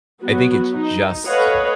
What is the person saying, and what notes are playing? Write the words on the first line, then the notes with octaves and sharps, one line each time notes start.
I think it's just
F#3 B3 F#4
D#4
A4 B4 C#5 D#5 F5 F#5